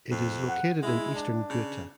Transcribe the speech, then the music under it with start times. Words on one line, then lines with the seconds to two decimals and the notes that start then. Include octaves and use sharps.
It is located in Eastern Ghouta.
0.11 F2
0.48 F#5
0.83 G#3 E4
1.14 D4
1.50 C#3